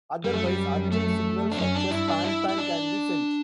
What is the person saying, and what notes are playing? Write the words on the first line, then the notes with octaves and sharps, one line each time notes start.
Otherwise, urgent signals such as pan-pan can be sent.
F#2 G3
A3
G3
A3
D4
F#2 C#4
D4
G2 E4
D4
E4
E4
D4